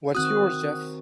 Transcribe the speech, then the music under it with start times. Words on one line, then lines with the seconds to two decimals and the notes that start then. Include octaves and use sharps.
What's yours, Jeff?
0.15 D#3 C4 F#4 D#6 F#6